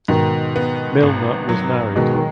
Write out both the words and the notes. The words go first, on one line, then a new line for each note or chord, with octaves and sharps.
Milner was married.
G#2 B2 D#3
B3
G#1
F#3
B2 D#3 G#3
D#3